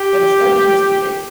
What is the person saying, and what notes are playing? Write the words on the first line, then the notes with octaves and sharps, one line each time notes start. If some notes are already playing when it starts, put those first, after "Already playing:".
It is still being disputed.
Already playing: G4